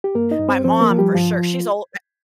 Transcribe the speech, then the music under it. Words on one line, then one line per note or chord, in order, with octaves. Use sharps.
My mom, for sure, she's ol eh
G4
G2 A#3 A#4
D#4 D#5
G2
C4 C5
F3 C4 C5
A#3 A#4
F3
G3 G4
G2 F3 F4